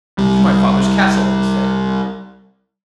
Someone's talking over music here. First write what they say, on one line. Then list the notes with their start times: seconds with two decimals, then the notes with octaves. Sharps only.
'To my father's castle,' he said.
0.18 C2 G3